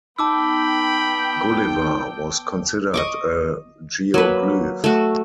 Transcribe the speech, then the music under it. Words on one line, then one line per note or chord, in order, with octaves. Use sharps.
"Gulliver" was considered a geoglyph.
B3 D#4 G5 A5 B5 D6 E6
D#5 C#6 D6
F#3 A#3 B4
A3 F#4